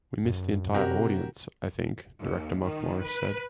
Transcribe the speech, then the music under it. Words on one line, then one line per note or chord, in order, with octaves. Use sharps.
We missed the entire audience, I think, Director Mark Morris said.
F#2
C3 F#4 G4 A#4
D#2
D#3
B4